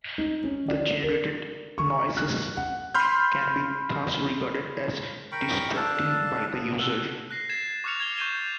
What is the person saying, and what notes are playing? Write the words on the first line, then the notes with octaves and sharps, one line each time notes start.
The generated noises can be thus regarded as distracting by the user.
D#4
C#4
D5
A#4
C#6
F#6
F#5
B5 C6 F6 G6
A#4 G5 B5 C#6
D4 A4 F5 A5
B3
A4 F#5 E6
F#6 A#6 C7
G#6 A6 C7 E7
C#6 D6 F6 F#6 C#7 F7
G#6 G7
C#6 G6 A6 D#7 E7 G7